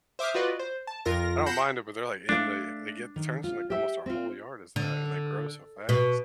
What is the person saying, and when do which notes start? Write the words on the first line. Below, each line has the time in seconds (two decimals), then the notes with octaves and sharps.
I don't mind it, but they're, like, in the they get turns in, like, almost our whole yard is that, and they grow so fast
0.19 C5 E5 D6 D#6 F6
0.34 F4 F#4 B4 D5 D#5
0.59 C5
0.87 A5
1.05 F2 F4 A#4 A#6
1.46 F#5 B5 G6 A#6 C7 E7
2.29 A3 D4 D5 F5
3.16 D#3
3.44 F4
3.70 G4 E5
4.06 C4 F4
4.76 D3
5.89 B2